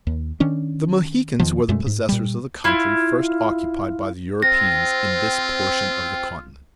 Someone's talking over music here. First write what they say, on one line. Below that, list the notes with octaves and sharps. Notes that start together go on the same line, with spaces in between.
The Mohicans were the possessors of the country first occupied by the Europeans in this portion of the continent.
D#2
D#3 C#4 D4
E2 D#3 F3
F#2 B2 G#3 A3
G#2
A#2 G3
E4 F4
C4 F4 A#6